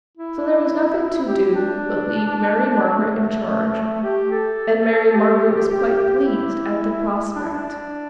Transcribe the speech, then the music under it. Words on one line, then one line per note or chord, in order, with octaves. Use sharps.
So there was nothing to do but leave Mary Margaret in charge, and Mary Margaret was quite pleased at the prospect.
E4
G4
D4
A3
G4
A4
G4
E4
D4
E4
D4